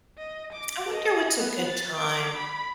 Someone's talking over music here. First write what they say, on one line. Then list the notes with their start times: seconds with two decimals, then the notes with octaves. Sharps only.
I wonder what's a good time
0.18 D#5
0.53 D6
0.92 D#5
1.39 B3
1.69 A6
1.98 D6
2.37 B5